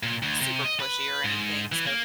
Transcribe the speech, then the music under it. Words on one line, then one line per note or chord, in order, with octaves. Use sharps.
super pushy or anything, so
A#2
D2
C3
D#5
B4
G#2
E3
A#3